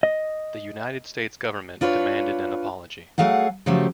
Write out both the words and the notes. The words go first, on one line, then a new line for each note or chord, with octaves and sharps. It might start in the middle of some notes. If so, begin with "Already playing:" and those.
The United States government demanded an apology.
D#5
D4 F4 B4 C#5
F#3 A3 G#4 F5 F#5
C#3 F3 F#3 A3 G4